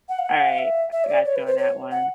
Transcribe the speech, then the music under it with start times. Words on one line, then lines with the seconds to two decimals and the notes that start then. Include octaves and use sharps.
Alright, I got you on that one.
0.09 F#5
0.19 F5
0.25 F#5
0.49 F5
0.58 E5
0.92 E5
1.04 C#5
1.08 D5
1.25 C#5
1.36 B4
1.47 C5
1.58 C#5
1.91 F#5